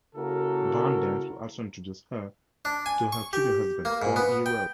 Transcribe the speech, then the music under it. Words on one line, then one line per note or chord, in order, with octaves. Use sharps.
"Barn Dance" also introduced her to her future husband, Paul E. Rose.
C#3 A#3 E4 F#4 A4 A#4
D4
G#5
C#6
G4
A#3
G#2
B3
G5